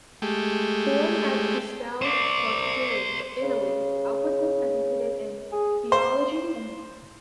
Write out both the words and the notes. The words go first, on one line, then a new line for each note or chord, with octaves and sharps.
Born at Castel Gualtieri, Italy, Albert was educated in theology and law.
G#3 A3 G4
C5 D5
C#3
G#4
C5